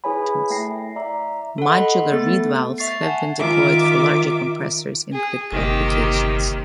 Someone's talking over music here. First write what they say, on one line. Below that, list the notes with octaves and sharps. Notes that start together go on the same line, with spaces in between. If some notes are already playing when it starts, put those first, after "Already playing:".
Modular Reed Valves have been deployed for larger compressors in critical applications.
E4 G#4 B4 C#5 G#5 B5
A3 E4 G5 A5 A#6 C7
D5 E5 A#5 D6
A4 F#5
D#5 F#5 B5 C6
A3 B3 A4 A6
E5 C#6 A6 C7
F#5 G#5 A5
D#3 F4 A#4 E5 D6
G#4
G1 C3 D#3 A#3 G4